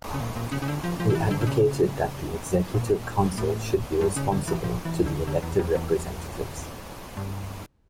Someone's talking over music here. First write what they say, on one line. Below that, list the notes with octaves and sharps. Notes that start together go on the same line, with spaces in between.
He advocated that the executive council should be responsible to the elected representatives.
C#3
A#2
A#2
C#3
C#3
D3
F3
F3
D3
E3
D3
D3
C#3
A#2
A2
G2
C#3
D3
E3
F3
E3
D3
D3
E2
F2
E2
G2